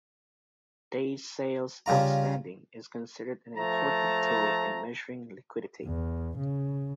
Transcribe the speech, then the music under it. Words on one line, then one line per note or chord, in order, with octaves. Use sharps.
Days sales outstanding is considered an important tool in measuring liquidity.
C#3 G3 F4 A#5
F3 A3 A5 A#5
E2
C#3